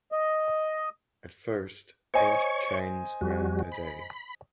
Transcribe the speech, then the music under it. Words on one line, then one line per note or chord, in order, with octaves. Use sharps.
At first eight trains ran per day.
D#5
C5 C#5 D#5 G#5 C#6
F2 G3 F#4
B5